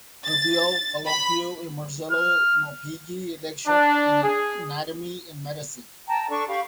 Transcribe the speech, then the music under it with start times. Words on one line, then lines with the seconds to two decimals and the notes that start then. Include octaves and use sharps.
Gabriele Falloppio and Marcello Malpighi lectured in anatomy and medicine.
0.25 A6
1.06 B5
2.11 F6
3.67 D4
4.22 G#4
6.08 G5 A5 A#5
6.30 D4 A4 C#6
6.48 G4 F5 B5 C#6